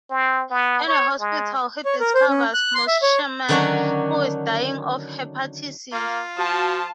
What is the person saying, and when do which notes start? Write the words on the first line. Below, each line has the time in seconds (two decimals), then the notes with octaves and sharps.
In the hospital he discovers Mutschmann, who is dying of hepatitis.
0.11 C4
0.51 B3
0.87 C#5
1.19 G#3
1.85 C#5
2.00 A#4
2.14 C5
2.28 C#4
2.54 F#6
2.75 C6
2.87 E5
3.02 C#5
3.49 D3 D#3 F#3 C#4 D4 F#4
5.93 A#3 F4
6.38 F3 F#4 A5